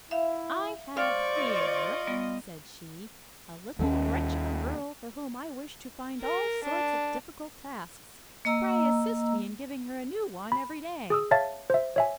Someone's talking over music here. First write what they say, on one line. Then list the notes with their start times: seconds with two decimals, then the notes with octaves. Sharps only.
"I have here," said she, "a little wretch of a girl for whom I wish to find all sorts of difficult tasks; pray assist me in giving her a new one every day."
0.11 E4 E5 F5
0.97 C5 D5 F5 C#6 F6
1.35 F4 D#5
2.07 G3 B3
3.79 D#2 G#3 C#4
6.22 A#4
6.64 D4
8.45 A#3 D#5 A#5 E6
10.52 B5
11.10 G#4 D#6 E6
11.31 C#5 E5 F5 A5 A6
11.70 C5 E5
11.96 C#5 E5 G#5